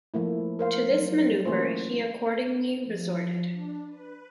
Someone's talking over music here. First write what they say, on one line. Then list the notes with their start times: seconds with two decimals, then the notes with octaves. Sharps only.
To this manoeuvre he accordingly resorted.
0.14 F3 A3 A#3 E4
0.59 A#4 C5 F5
0.90 F#3
1.45 E3 A3 A#3 C#4 F4 C5
2.83 F3
3.48 D4
3.86 B4